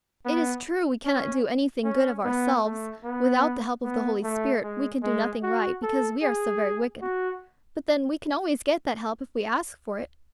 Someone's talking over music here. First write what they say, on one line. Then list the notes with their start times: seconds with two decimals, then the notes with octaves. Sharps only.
It is true we cannot do anything good of ourselves; without the help of the Holy Spirit we can do nothing right, because we are so very wicked; but then we can always get that help if we ask for it.
0.25 B3
1.05 C#4
1.84 C#4
2.24 B3
2.64 A3
3.04 B3
3.84 B3
4.23 A3
4.63 G#3
5.03 G#3
5.43 F#4
5.83 A4
6.22 G#4
7.01 F#4